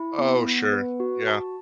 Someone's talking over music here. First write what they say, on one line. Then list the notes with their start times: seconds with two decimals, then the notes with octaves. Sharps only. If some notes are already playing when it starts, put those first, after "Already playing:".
Oh, sure. Yeah.
Already playing: E4
0.18 B3
0.45 B3
0.73 B4
1.00 F#4
1.27 A5